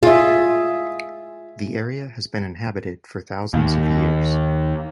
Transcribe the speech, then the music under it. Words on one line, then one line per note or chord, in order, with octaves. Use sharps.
The area has been inhabited for thousands of years.
F4 G#4 E5
D#2